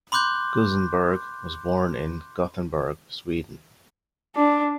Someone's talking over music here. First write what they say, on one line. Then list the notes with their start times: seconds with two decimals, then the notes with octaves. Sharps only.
Kusenberg was born in Gothenburg, Sweden.
0.12 B5 C6 D6 F#6 G6
4.35 D4